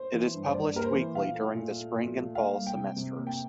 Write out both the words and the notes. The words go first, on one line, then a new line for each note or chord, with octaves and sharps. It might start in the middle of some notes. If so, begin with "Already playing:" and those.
It is published weekly during the spring and fall semesters.
Already playing: C5
E3
G2
C5
G2 D5
A#3 A#4
C5
E3
A#2 F5
A3
A#2
A3
A#2
A3
A#3 F5
G3
G5
C3
C3
A#3
G5